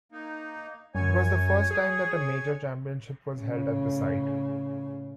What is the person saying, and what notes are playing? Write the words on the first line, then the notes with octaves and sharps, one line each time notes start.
It was the first time that a major championship was held at the site.
A#3 D#4
F#2 C#5 G#5
G#4
A2 C#3